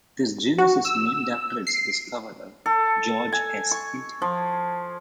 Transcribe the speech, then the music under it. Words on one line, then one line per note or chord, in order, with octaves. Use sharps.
This genus is named after its discoverer George S. Hinton.
F#4
E6
C7
A4
G#5
C#6
F3